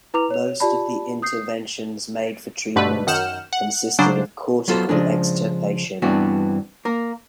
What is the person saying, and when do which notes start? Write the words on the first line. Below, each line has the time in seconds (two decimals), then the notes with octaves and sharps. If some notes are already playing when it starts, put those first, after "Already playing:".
Most of the interventions made for treatment consisted of cortical extirpation.
0.14 E4 B4 A#5 D6 F7
0.30 C#5 F7
0.60 F4 G4 D5 A5 B5
1.22 D#6 G6 C7
2.76 G2 B2 D3 A3 B4
3.07 F#2 D#3 F#5 F6 G6 E7
3.53 F#5
3.99 C#3 F#3 D4 C5
4.68 F#3 B3 F4 A4 B4 C5
4.89 C#3 F3 G#3 D4
6.02 G2 E3 B3 C4 D4 F#4
6.85 A#3 A#4